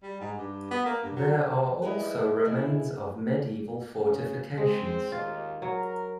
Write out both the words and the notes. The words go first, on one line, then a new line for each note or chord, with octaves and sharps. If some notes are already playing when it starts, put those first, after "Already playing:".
There are also remains of medieval fortifications.
G3
G#2
G2
B3
A#3
G2
F#3
G3 G#3 D#4 E4 A#4 B4
B2 E3 B3 E4 G#4
C#3
G#3 C4
D#2 F4
F#3 A#4